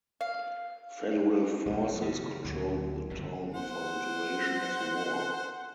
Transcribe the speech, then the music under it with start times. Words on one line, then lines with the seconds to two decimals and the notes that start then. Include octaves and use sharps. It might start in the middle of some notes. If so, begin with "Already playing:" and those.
Federal forces controlled the town for the duration of the war.
0.21 F5
1.66 B1 F#2
2.02 C#3
2.44 D2 A#2 F#3
3.10 G1 F2 C#3
3.54 C5 F#5